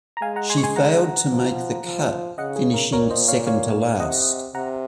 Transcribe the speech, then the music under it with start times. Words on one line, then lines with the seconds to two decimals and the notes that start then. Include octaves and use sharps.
She failed to make the cut, finishing second to last.
0.17 A#5
0.22 G#3 F5 G#5
0.36 F#5 A#5
0.50 G#5 C6
0.58 C#6
0.63 G#5 C6
0.76 F#5 A#5
1.31 F3
1.84 F3
2.38 C#3 D#5 F#5
2.56 G#4
2.74 A#4
2.92 A#2 A#4 C#5
3.10 C5 D#5
3.28 C#5 F5
3.47 C#5 F5
4.00 C3 D#5 F#5
4.55 C3 F#5 A#5